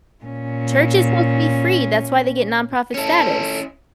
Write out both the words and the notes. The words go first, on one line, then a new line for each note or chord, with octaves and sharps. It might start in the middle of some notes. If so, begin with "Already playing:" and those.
Church is supposed to be free. That's why they get nonprofit status.
A#2 C#4
A#2 C#4 E4 A4